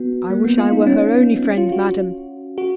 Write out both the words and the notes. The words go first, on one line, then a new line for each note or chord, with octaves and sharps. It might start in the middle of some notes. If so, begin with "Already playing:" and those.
'I wish I were her only friend, madam.
Already playing: B3 F#4
A#3
B3
F4
D#4
C#4
B3
B3
C#4
F4
F#4
F4
F#4